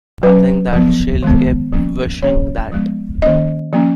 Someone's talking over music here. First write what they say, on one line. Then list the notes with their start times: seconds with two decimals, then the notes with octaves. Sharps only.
I think that she'll keep wishing that.
0.23 F#3 C#4 B4
0.73 F3 B3
1.23 D#3 G#3 B3
1.73 F3 A#3 C#4
2.23 F3 A#3 C#4 C#5
2.72 F3 G#3 B3
3.22 D#3 A#3 C#4 D#5
3.73 F3 A#3 C#4